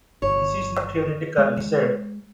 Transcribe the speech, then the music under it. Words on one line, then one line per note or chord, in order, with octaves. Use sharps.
"This is not theoretical", he said.
G1 C#5
G#3